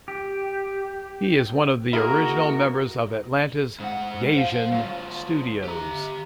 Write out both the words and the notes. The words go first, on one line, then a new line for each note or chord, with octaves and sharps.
He is one of the original members of Atlanta's Gaijin Studios.
G4
A#3 E4 F#4 G#4 A#4
G#2 F#5
C5 F5
F#3 F4
G4 A#5